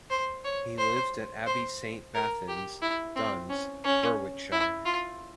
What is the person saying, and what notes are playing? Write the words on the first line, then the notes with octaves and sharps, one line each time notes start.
He lived at Abbey Saint Bathans, Duns, Berwickshire.
C5
C#5
C5
C5
A#4
G4
E4
C4
C#4
C#4
E4
F4